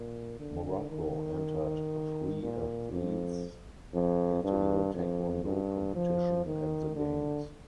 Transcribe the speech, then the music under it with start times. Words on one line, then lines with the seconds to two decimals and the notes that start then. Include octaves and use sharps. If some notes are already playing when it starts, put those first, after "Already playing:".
Morocco entered three athletes into the taekwondo competition at the Games.
Already playing: A#2
0.40 D3
0.91 D#3
2.42 A#2
2.93 F2
3.94 F2
4.44 G2
4.94 F2
5.44 G2
5.96 F3
6.46 D#3
6.96 D3